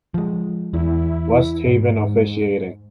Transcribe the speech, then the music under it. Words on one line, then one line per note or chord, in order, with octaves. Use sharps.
Westhaven officiating.
F3 G#3
E2 E4
G#2